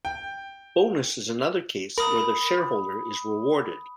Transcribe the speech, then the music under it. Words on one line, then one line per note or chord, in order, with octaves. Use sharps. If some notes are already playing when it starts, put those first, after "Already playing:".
Bonus is another case where the shareholder is rewarded.
G5
A#4 B5 D#6